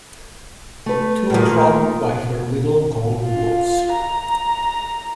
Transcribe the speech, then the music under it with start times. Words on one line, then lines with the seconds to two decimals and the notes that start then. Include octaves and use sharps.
Two o'clock by her little gold watch.
0.86 A3 B4
1.30 A#2 D#3
3.23 F4
3.94 A#5